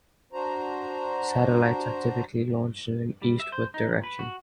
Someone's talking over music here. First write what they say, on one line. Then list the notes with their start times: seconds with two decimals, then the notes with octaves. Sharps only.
Satellites are typically launched in an eastward direction.
0.33 D4 F#4 C5 A#5
3.22 G3
3.40 E5
3.52 C5
3.74 D#4
3.88 A#2
4.03 B4
4.19 F#4